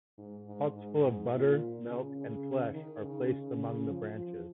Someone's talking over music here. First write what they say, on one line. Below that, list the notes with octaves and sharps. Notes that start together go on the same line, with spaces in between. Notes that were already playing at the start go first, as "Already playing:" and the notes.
Pots full of butter, milk, and flesh are placed among the branches.
G#2
G#2
G#2
G#2
A#2
C#3
C#3
D#3
C#3
C#3
C#3
F3
F3